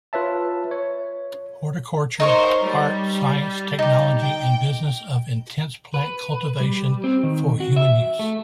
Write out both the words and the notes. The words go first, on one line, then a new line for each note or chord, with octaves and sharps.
Horticulture - art, science, technology and business of intensive plant cultivation for human use.
F4 B4 C#5 E5 A5
C#5
D#4 A#4 C5 C#5 C#6
G3
D#4 G4
G5
B4
G3
C4
D#3
F#4
E5
A3